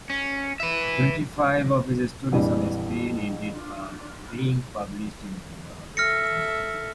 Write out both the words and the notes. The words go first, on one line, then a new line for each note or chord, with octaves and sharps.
Twenty five of his stories on Spain ended up being published in Regards.
C#4
B4 E5
A#1 F2 E3 G3
A4 E5 F6 A#6 C#7